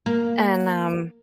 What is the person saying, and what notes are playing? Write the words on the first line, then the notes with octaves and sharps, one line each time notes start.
And, um
A#3